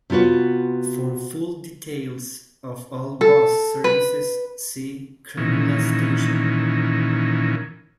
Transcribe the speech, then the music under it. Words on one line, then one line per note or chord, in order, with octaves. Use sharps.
For full details of all bus services see Cronulla Station.
C3 B3 F4 F#4 B4
A4
B4
A#2 D#3 E3 C#4